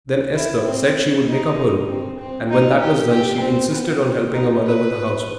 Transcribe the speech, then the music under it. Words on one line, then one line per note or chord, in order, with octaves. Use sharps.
Then Esther said she would make up her room, and when that was done she insisted on helping her mother with the housework.
E4
C4
D#4
C4
C4
D#4
G4
G4
C4
B3
C4
D#4
B4